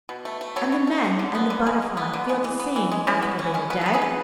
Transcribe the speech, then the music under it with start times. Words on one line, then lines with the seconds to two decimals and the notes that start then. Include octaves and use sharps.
'And the men and the butterfly feel the same after they are dead?'
0.09 B2
0.25 A3
0.41 A3
0.56 B2 A4 C#5
0.72 B2
0.87 A3
1.04 A3
1.19 D3
1.35 B3
1.50 D3
1.67 G#3
1.82 D3
1.97 B3
2.13 D3
2.29 G#3
2.44 E3
2.60 B3
2.76 E3
2.91 G#3
3.07 E3 C#4 E4
3.22 B3
3.39 E3 C#4
3.54 G#3 C#4
3.70 B2 B4
3.81 B3 A4
3.93 G#4 B4
4.02 B2